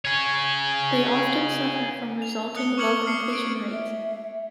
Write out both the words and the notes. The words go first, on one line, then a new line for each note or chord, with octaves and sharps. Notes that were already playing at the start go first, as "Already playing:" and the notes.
They often suffer from resulting low completion rates.
G#4 C#5
F7
D#6 F#6 C#7 G7
C#6 D6 F6 G#6 C#7 F#7
F6 C7 C#7
D7
E5